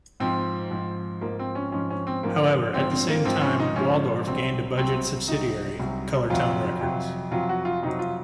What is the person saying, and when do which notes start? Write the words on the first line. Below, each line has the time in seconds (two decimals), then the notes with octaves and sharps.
However, at the same time Waldorf gained a budget subsidiary, Colortone Records.
0.20 G#2 F3 C4
0.71 G#2 F3
1.21 G#2 F3 A#3
1.39 C4
1.55 C#4
1.72 G#2 F3 C#4
1.90 C#4
2.07 C4
2.23 G#2 F3 A#3
2.74 G#2 F3 C4
2.91 C4
3.09 A#3
3.25 G#2 F3 C4
3.42 C#4
3.60 D#4
3.76 G#2 F3 C#4
4.27 C2 C3 F#3 C4
4.77 C2 C3 F#3 C4
5.28 C2 C3 F#3 D#4
5.79 C2 C3 F#3
6.30 F2 C3 F#3 F4
6.81 F2 C3 F#3
7.31 F2 C3 F#3 F4
7.49 F#4
7.65 F4
7.82 F2 C3 F#3 D#4
7.99 F4